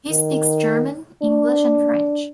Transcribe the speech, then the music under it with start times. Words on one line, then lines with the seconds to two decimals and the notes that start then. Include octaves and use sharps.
He speaks German, English, and French.
0.10 D#3
1.22 D4